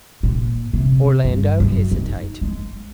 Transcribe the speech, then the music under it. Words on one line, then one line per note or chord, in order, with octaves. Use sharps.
Orlando hesitated.
A#2
C3
G2
F#2
D#4
G#3